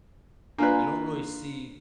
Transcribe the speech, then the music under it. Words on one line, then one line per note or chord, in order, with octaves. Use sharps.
you don't really see
A#3 D4 F4 B4 D5